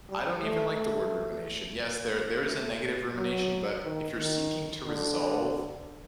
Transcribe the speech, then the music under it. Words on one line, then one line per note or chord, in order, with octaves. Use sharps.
I don't even like the word rumination. Yes. There there is a negative rumination, but if you're seeking to resolve
G3
A3
A3
A#3
A#3
A3
F#3
D#3
D#3
D3